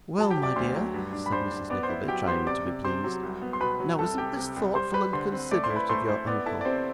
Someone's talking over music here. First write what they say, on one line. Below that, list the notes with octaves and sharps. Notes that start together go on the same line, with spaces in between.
'Well, my dear,' said Mrs Nickleby, trying to be pleased, 'now isn't this thoughtful and considerate of your uncle?
F#3 A5
G4 G5
F#3
D5 D6
D2 C5 C6
F#3
G2
D4
B5
D4 C5 C6
D4
B3 D5 D6
C5 C6
E4
F#3 G4 G5
B3 C5 C6
C3 D5 D6
C3
C3 C5 C6
F#3
C2
B3
C6
B2 B4 B5
F#3
C2 A4 A5
C3 G4 G5
C3
C2
G3 C5 C6
G3 B4 B5
D3 C5 C6
C4
A3 D5 D6
C5 C6
E4
B4 B5
A3 C5 C6
E4 C5 C6
B3 D5 D6
E4 A4 A5
D5
C3 C4 C5